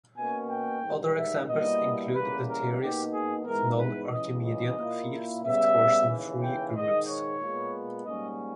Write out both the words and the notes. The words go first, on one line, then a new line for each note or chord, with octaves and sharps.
Other examples include the theories of non-archimedean fields and torsion-free groups.
B2 A#3 C#4 G#5
G5
G#2 D#3 G3
E5
B2 G3 A#3 E4 D#5
E2 C#3 G3 A#3 B4
A#4
B2 A#3 D#4 G4
G#4
G#2 E3 G#3 B3 A#4
B4
C#2 C#3 E3 G3 D#5
D#5
A#2 A#3 E4
C#3 G3 B3 E5
D#2 C#3 E3
G5
G#2 D#3 G#3 D#4 D#5
C#5
A#2 G#3 B3
G#2 G3 A#3 C#4 D#5